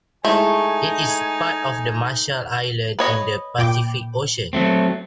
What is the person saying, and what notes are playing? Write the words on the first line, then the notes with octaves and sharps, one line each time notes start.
It is part of the Marshall Islands in the Pacific Ocean.
G#3 A3 D#4 E4 G#4 G#5
B4 C#5 D#5
A#2 G5 D6
F#3 A3 C4